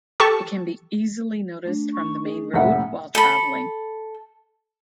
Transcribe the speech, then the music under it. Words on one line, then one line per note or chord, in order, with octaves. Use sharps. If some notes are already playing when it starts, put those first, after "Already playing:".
It can be easily noticed from the main road while traveling.
G4 A4 A5 C#6
A3 D4
C#6
G#4
F1 A#1 A2 C#4 E5 F#5
A4 B5